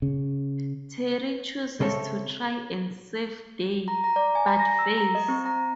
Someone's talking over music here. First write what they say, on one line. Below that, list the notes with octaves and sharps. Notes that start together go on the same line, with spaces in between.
Terry chooses to try and save Day but fails.
C#3
C#3 C4 A4 C#5 E5
A#5
A#5
D5
G#5
A#5
A#6
E6
A#5
D#5
C4
A#5